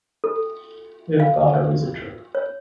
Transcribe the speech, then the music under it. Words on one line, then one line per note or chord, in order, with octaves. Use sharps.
We've got a visitor!
A4
F5
C#5